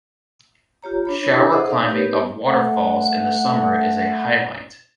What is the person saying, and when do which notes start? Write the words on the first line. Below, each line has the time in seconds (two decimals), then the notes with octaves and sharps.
Shower climbing of waterfalls in the summer is a highlight.
0.83 F4 G4 C#5 A#5
1.05 D4 C#5 B5
1.27 D4 E4 F#4 G4 A4 C#5
1.51 G#4 A4 C5 D#5 E5 F#5
1.69 D#4 D5 F5 D#6
1.90 B3 D#4 G4 A#4 B4 C#5
2.46 A3 F#5